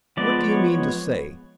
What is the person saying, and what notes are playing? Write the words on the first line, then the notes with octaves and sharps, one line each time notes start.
"What do you mean to say?"
F3 G#3 B3 D5
C#5
C#5